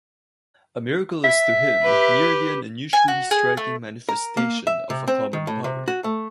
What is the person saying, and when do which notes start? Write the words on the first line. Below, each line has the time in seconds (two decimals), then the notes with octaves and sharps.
A miracle is to him merely an unusually striking manifestation of a common power.
1.24 E5
1.83 G4 B4
2.93 G#5
3.08 F#4
3.31 G#4
3.57 A3
4.09 A#4
4.37 A#3
4.67 E5
4.90 C3
5.08 C4
5.33 D#3
5.47 A2
5.64 C3
5.88 F#4
6.04 A3